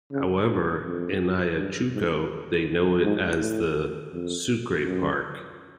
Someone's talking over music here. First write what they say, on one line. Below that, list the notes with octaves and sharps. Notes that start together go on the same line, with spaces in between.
However, in Ayacucho, they know it as the "Sucre park".
C#3
G2
F2
G2
G#2
G#2
A2
F2
F#2